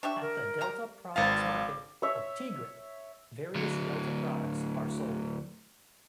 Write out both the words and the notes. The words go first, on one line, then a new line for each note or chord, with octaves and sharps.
At the Delta Products Market of Tigre, various Delta products are sold.
D4 G4 E5 C#6
A#4
G3 A#5
G#1 F3 B3 A#4 F5 A6
D6
C#5 E5
D2 F#3